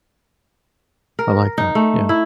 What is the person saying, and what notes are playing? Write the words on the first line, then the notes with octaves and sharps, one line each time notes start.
I like that, yeah.
A#4
D#4
A3
E4